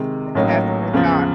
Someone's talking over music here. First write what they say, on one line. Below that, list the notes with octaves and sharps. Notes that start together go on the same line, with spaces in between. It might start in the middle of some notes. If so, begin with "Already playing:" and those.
Th that's what I thought.
Already playing: C3 D#3 G#3
A1 A2 F#3 A#3 D#4
E2 C#3 F3